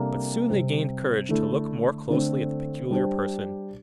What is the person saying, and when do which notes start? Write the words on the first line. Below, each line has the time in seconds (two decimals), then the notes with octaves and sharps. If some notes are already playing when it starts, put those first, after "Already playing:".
But soon they gained courage to look more closely at the Peculiar Person.
Already playing: C3 G3 A#3 D4 A4
0.49 C3 G3 C4
1.29 D3 A3 E4 A4
2.10 D3 A3 C4
2.91 G3 D4 G4 C5